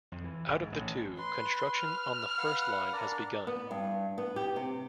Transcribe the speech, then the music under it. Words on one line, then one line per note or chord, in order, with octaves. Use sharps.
Out of the two, construction on the first line has begun.
F2
E3
G#1
G#2
A1
B4 C6
F6
B4 F5 F#5
D4 A#4 D5
B3
G2
B3
G4
C3